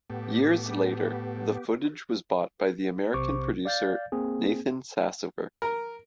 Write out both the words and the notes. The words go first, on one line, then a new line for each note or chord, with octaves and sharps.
Years later, the footage was bought by the American producer Nathan Sassover.
A2 B3 G4
B1 C3 C5 C#6 D6
D5 F5 G6 A6
A#3 C4 G#4
A#4